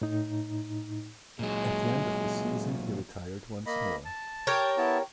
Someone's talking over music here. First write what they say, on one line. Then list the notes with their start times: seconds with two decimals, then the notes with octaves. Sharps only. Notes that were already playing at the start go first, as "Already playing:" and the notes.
At the end of the season, he retired once more.
0.02 A2 D#4
1.39 A#2 F#3 G#3
3.66 A#3 D#5 B5
4.05 A5
4.47 G4 A#4 C#5
4.78 B3 E4 A5